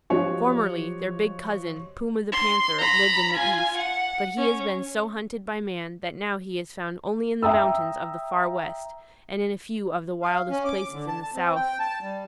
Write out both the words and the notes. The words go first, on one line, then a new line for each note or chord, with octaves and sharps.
Formerly, their big cousin, Puma the Panther, lived in the East, but he has been so hunted by man that now he is found only in the mountains of the Far West and in a few of the wildest places in the South.
F3 F#3 F#4 G4 C#5 D#5
C6
A#5 B5
F4 G#5
F#5
C#4
E5 G5 A#5 D#6 E6
F5
C#4
D6
D3
A5
A5
C4
G5
A5
G3